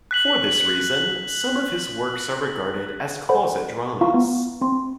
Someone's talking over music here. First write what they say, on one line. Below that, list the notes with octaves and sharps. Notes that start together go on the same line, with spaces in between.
For this reason, some of his works are regarded as closet dramas.
F#6 B6 F#7
A4 C5 D5 F#5 B5
E4 F4 F5 A#5 C#6
B3
C4 C6